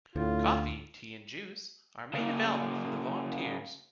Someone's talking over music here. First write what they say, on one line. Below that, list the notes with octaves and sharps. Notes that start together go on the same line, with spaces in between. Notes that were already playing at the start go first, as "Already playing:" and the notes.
Coffee, tea and juice are made available for the volunteers.
D2 A2 F4
C#3 A#3